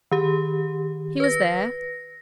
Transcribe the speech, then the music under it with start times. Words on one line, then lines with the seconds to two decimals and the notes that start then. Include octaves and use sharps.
He was there?
0.11 D#3 G4
1.20 B4 A#6